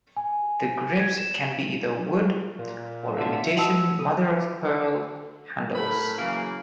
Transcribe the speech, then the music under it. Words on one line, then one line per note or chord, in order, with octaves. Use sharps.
The grips can be either wood or imitation mother-of-pearl handles.
G#5
G#6
E7
A#2
A2 D3 F4 E5
F#4 D#5 F#5 A5 D#6 E6
A4
A2 A#4 B5
C#3 E3 F#3 A#3